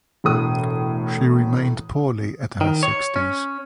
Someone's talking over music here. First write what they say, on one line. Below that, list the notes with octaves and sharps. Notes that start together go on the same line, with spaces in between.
She remained poorly at her sixties.
E1 A2 D#6
D#3
C#5
C#4